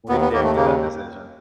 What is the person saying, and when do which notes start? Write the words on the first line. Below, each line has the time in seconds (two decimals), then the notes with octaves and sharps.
we came to that decision.
0.09 D#2 B3
0.21 B3
0.32 D#2 A#3
0.44 A3
0.56 C#3 A#3